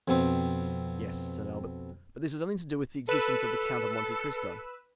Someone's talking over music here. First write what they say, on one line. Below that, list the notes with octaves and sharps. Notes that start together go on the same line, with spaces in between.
"Yes," said Albert, "but this has nothing to do with the existence of the Count of Monte Cristo."
F2 B2 C4
A4 B4 E6